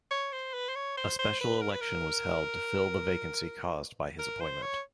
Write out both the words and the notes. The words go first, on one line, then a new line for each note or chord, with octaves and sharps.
A special election was held to fill the vacancy caused by his appointment.
C#5
C5
B4
C5
C#5
C5
C5
B4
A#4
B4
A#4
A#4
C5
C#5